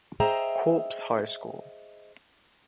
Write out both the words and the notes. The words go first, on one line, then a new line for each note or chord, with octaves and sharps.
Corpse High School.
G#4 C5 D#5 E5 G5 A#5